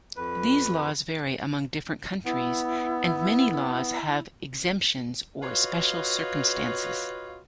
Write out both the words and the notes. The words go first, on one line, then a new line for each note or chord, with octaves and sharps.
These laws vary among different countries and many laws have exemptions or special circumstances.
F2 B4
B3 E4
F4 F#4 B4 C#5 D#5 F5